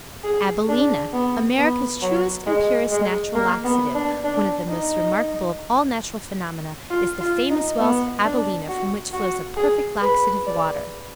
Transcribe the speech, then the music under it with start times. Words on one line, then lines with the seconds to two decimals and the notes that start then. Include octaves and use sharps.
ABILENA America's Truest and Purest Natural Laxative. One of the most remarkable of all natural phenomena is the FAMOUS WELLS OF ABILENA from which flows a perfect laxative water.
0.24 G#4
0.69 D4
1.13 B3
1.58 B3
2.02 F#3
2.46 G#3
2.91 G#3
3.35 A#3
3.65 B3
3.95 D4
4.24 D4
4.69 D#4
6.91 F4
7.21 F4
7.50 D#4
7.79 B3
8.25 D4
8.69 F#4
9.13 F#4
9.57 G#4
10.02 B4
10.47 D5